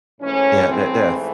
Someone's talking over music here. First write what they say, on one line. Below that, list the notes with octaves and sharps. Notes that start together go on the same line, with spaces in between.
Yeah, that th yeah
G#2 E3 A3 C#4
C4